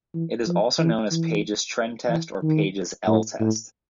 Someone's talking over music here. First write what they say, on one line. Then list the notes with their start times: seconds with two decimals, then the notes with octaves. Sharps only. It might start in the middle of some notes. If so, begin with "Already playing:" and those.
It is also known as Page's trend test or Page's "L" test.
0.14 E3
0.47 F3
0.79 E3
1.11 E3
2.09 E3
2.43 D#3
3.07 A2
3.40 A2